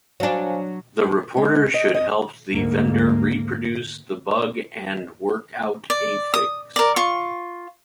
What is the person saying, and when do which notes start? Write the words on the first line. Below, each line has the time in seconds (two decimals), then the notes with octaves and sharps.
The reporter should help the vendor reproduce the bug and work out a fix.
0.20 F#3 D4 C5 F5 G#5
1.37 G#3
1.74 D#5
1.94 D#5
2.52 D2 G#2 A#3
5.90 D5
6.34 D#6
6.76 A#4 D5
6.96 F4 C#6